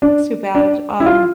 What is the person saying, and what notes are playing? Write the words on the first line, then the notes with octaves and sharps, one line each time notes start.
too bad. Um,
D4
D4
E4
F4